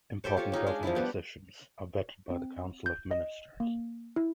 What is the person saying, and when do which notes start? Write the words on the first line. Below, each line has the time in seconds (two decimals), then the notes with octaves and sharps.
Important government decisions are vetted by the Council of Ministers.
0.24 G4 A4 C5 C#5
0.37 F4 G4 A4 C#5
0.52 C#4 D#4 F4 G#4
0.67 G#3 D4 D#4 G#4
0.83 F3 G#3 D4 E4
0.95 G3 B3 G4
2.30 C4
2.86 G6
3.11 D#5
3.60 A#3
4.16 E4